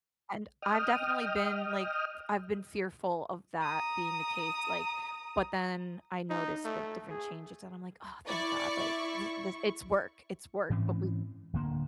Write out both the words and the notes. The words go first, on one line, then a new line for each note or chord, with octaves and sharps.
And, I've definitely been f like, I've been fearful of that being the case, like but then I noticed, like, different changes, and I'm like, "Ah, thank God," like, this this it's work, it's work, but we
D#5 G5 D#6 F6
A#5 D#6
D#4
A3
G#4
E4 D5 C#6
G#2 E3 C4 C#4
D1 D3 A#3